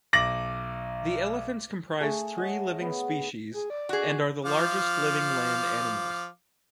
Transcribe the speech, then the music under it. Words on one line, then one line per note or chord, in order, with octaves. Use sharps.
The elephants comprise three living species and are the largest living land animals.
B1 D6 A#6 F#7
A3 G#4
C#5 D#5 F#5
B3 C#6
G#4
D5
F#4 G#4
F3 F5 D6